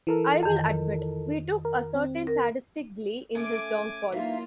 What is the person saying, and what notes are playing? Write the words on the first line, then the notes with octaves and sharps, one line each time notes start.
I'll admit, we took a certain sadistic glee in his downfall.
E3 A4 A#4
F2 D#3
A#4
C4
A#4
A3 C#4 G#5 D6
E3 F#3 A#3 D#4 F4 E5 F5